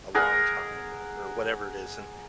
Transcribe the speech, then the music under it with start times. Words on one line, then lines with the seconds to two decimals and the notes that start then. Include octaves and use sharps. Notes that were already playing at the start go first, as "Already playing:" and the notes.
a long time or or whatever it is, and,
0.15 G#4 A#4 F#5